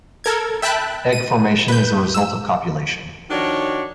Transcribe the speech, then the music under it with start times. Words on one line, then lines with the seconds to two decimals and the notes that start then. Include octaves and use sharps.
Egg formation is a result of copulation.
0.24 A4 A#4 G#6
0.62 E5 G5 A5 B5 F#6
1.13 D#7
1.68 B4 G6
2.14 E6
3.30 D#3 F3 D4 F#4 C#5